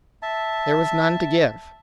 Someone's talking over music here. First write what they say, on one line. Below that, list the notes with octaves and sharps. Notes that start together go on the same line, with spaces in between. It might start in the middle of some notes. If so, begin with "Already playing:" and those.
There was none to give.
E5 A5